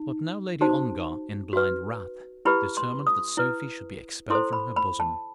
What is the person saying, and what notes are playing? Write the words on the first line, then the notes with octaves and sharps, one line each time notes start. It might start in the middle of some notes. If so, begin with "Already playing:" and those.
But now Lady Ongar, in blind wrath, determined that Sophie should be expelled from her bosom.
Already playing: D#4
D#4 F#4 C5 A5
F#4 B4
E4 G4 B4 B5
C6
D#6
E4 B4
E4 A4 C5 C6
B5
B5
A5